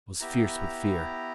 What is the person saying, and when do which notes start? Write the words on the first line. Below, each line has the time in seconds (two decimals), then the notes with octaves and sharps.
I was fierce with fear.
0.20 B3 E4 G4 A#5